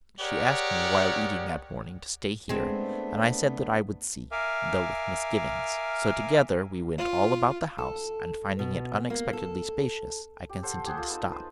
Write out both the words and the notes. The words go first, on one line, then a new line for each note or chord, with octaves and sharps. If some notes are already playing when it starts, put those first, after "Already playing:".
She asked me while eating that morning to stay here, and I said that I would see, though with misgiving: so together we went all about the house, and finding it unexpectedly spacious, I consented to stop.
G4 G#4 A#4 C#5 D5 F#5
G#3 A3 B3 C4 D4
A#4 E5 F5 G#5 D6 F6
F4
A4
B2
A#3
A4
G4
A4 C5 F#5
G4 G#4 C5 F#5
F4 A4
B3 D#4
B4 C5